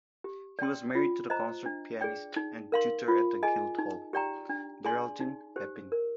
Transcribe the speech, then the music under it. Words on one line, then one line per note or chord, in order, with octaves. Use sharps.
He was married to the concert pianist and tutor at the Guildhall, Geraldine Peppin.
G4
D5 G5 C6
F4
C5 D#5 A#5
D4
G#4 D5 G5
D#4
A#4 F5 C6
F4
G#4 D#5 G#5
D#4
G4 D5 G5 A#5
D4
G#4 D5 G#5 C6
D#4
G4 C5
A#4